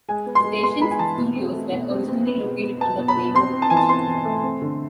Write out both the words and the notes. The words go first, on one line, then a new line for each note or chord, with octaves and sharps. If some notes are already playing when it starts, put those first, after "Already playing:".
The station's studios were originally located under the Rainbow Bridge.
G#3 G#5
B3
C6
G#3
B3 C6
G#3 B5
G#5
E3 A5
B2
C4
A3
B2
C4
C4
B3
B2
B3
B3 A5
B2
B5
B2
C4 C6
C4
A5
E3 G#5
A5
C4 C6
E3
A3
C4
D3